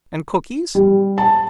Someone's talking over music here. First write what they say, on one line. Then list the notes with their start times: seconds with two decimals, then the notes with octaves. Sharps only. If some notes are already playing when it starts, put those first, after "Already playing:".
"And cookies?"
0.75 G3
1.18 A5